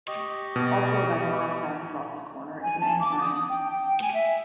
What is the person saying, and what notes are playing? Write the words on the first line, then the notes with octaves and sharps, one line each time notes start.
Also about a mile south of Ross's Corner is an end moraine.
G4 D#5 C#6
B2
G#5
A5
D6
D#6
G5
G5
G5
G#5
E5